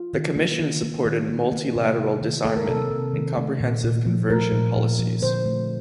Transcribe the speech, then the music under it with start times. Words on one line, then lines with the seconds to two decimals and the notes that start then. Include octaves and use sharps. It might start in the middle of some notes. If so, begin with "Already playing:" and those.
The commission supported multilateral disarmament and comprehensive conversion policies.
Already playing: F4
0.13 D#3
0.36 A#3
0.59 D#3
0.83 A#3
1.06 D#3
1.29 A#3
1.52 A#3
1.75 C3
1.98 C3
2.22 D#3
2.45 A#3 A4
2.57 A#4
2.68 C3 A4
2.91 C3
3.14 D#3
3.37 A3
3.60 A#2
3.83 A#2
4.06 F3
4.30 A3 A#4
4.52 A#2
4.76 A#2
4.99 F3
5.22 D3 C5
5.45 A3